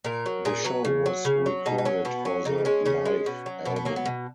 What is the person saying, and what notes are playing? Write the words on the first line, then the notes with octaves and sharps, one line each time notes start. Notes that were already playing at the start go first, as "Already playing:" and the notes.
The show was recorded for the "Live" album.
A#2 A#4
F#3
A#2 G#4
F#3 B4
C#3
F#3
C#3
F#3
B2 D#4
D#4
F#3 C#4
B2 B3
F#3 C#4
C#3 D#4
G#3 C#4
C#3 C#4
G#3
B2
F#3
B2 B3
B3
F#3 A#3
B3
B2